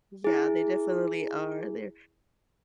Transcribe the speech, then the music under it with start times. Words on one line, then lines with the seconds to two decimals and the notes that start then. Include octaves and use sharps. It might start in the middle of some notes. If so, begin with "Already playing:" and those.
Yeah, they definitely are, they're
0.24 E4 G#4